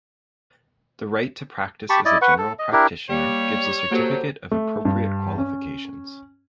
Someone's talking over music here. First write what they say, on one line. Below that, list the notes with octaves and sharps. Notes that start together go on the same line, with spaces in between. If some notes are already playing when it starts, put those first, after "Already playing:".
The right to practice as a general practitioner gives a certificate of appropriate qualifications.
G4 A5 B5 C#6
E4 D5 D#5
B4 F#5 C#6
A4
D#5
D4 E4 G4 A#4
G3 A#3 C#5
F#3 A#3 G4 A4 C5
A3
G2
C#4